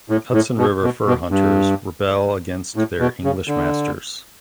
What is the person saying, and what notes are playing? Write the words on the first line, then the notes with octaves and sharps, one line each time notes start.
Hudson river fur hunters rebel against their English masters.
A2
A2
B2
B2
B2
G2
A2
B2
C#3
D3